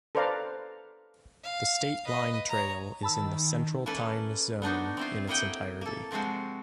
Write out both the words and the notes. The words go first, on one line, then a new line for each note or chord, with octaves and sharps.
The State Line Trail is in the Central Time Zone in its entirety.
A4 B4 C5 D5 F5 A#5
F5
B4 D#5
C#5 A#5
D#3 A5 B5 E6
A#3 C#4 E4 A4 B4
B3 D4 D#4 F#4
C4 E4 F4
A2 A#3 E4 D#5 F#5 G5
A#3 A4
C3 F3 G#3 C4 F#4